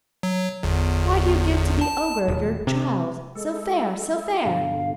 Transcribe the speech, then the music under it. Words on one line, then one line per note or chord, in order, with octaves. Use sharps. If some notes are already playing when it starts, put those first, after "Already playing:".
Why do you give to the ogre Your child, so fair, so fair?
F#3
G1 E2
A5
D#1
C3
G#3 A4
G2 B2 D3 F5